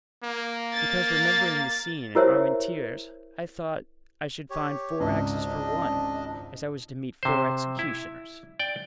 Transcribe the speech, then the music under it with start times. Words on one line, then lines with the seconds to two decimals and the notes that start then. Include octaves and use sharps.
"Because, remembering the scene at Armentieres, I thought I should find four axes for one, as I was to meet four executioners."
0.24 A#3
0.73 A6
2.15 E4 G4 A#4 C5 C#5 E5
4.50 G4 C#5
5.00 G#1 C#2 D4 D#5
7.23 C3 C5
7.79 E4
8.59 D5 G5